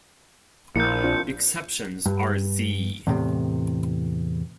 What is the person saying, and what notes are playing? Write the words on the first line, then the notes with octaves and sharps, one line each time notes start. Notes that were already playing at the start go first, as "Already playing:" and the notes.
Exceptions are z.
A#1 A#3 E4 A#4 G6 C#7
C4 D4 F4
G2
E2 A2 C3